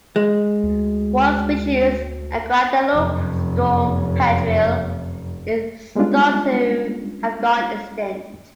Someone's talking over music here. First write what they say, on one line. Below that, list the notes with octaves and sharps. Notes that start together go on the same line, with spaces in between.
One species, the Guadalupe storm petrel, is thought to have gone extinct.
G#3
D2
F1 F#2
G3 G#3 B3 C#4 D4 F4